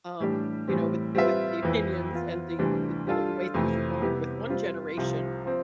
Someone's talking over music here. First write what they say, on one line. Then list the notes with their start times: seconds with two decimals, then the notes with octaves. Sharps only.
um, you know, with with the opinions and the the, you know, the way things are going with one generation,
0.20 A2 E3 G3 D4 G4
0.68 A2 E3 G3 C4
1.15 G3 C4 F4 B4 E5
1.63 F2 E3 B3 E4
2.11 E3 B3 F4
2.59 D2 C3 E3 G3 D4
3.07 G3 D4 F4 A4
3.54 F2 C3 E3 A3
4.02 C3 G3 B3 E4 G4
4.50 G3 C4 F4
4.97 C2 C3 F3
5.45 F3 C4